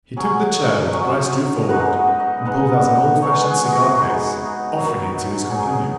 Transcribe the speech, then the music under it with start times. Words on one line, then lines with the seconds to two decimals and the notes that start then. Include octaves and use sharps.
He took the chair which Bryce drew forward and pulled out an old-fashioned cigar-case, offering it to his companion.
0.16 F#3 C#4 G#4
0.92 F#3 C#4 D#5
1.62 D#5
1.69 G#3 B3 D#4 F#5
1.95 D#5
2.20 D#5
2.45 G#3 B3 D#4 F#5
3.22 G#3 B3 D#4 C#5
3.42 B4
3.47 G#4
3.72 F#4
3.98 G#3 B3 D#4
4.74 F#3 D#4
5.50 F#3 D#4 G#4